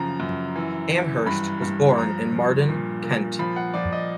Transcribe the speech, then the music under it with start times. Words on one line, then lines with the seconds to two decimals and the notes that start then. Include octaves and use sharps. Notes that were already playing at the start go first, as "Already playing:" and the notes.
Amhurst was born at Marden, Kent.
Already playing: F#2 C#3 F3 A#5
0.20 F#2
0.56 E3
0.92 E3
1.26 G2 B5
1.62 G2
1.98 F3 A#5
2.32 F3
2.69 A#2
3.03 A#2
3.39 F3 B5
3.56 F#5
3.74 F3 D5
3.93 D#5